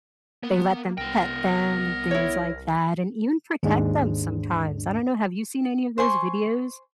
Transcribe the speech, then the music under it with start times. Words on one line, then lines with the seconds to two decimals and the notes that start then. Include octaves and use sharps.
they let them pet them and things like that, and even protect them sometimes. I don't know, have you seen any of those videos?
0.43 A#3 B3
0.98 C2 B3 A#4 G5
2.11 E4 C#5
3.63 D#2 G#2 G#3 D4
5.98 C5 G#5 C6 C#6